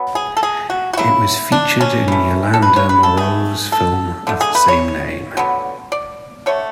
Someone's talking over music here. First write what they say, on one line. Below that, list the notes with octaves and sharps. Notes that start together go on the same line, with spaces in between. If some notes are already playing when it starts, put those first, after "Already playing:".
It was featured in Yolande Moreau's film of the same name.
Already playing: B2 F#3 B3
G#4
A4
G#4
F#4
F#4
C#3 F#3 B3 E4
D4
C#4
E3 A3
A4
B4
C#5
B4
A4
B2 A3 G#4
A4
D3 A3
G#4
B4
C#5
D3 F#3 B3
D5
D3 A3 C#5